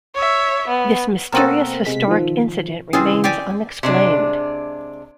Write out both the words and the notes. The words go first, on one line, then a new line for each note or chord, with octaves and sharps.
This mysterious historic incident remains unexplained.
C#5 E5
B3
B2 A#3 C4 F#4 A4 A#4
C3 G#3 B6
D#3 F3
C#3 E3 C4 F4 G#4
G4 D5 G#5
C3 G#3 D4